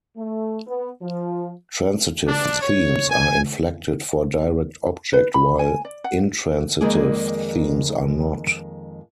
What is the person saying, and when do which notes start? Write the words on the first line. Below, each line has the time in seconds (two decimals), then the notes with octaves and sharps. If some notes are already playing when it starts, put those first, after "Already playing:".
Transitive themes are inflected for direct object, while intransitive themes are not.
0.17 A3
0.67 B3
1.02 F3
2.27 D4
2.62 C#5
3.10 G#5
5.13 B4
5.34 B5
5.59 G#5
5.85 D5
6.04 F#5
6.81 F2 D#3 G#3 A#3 G#4 D5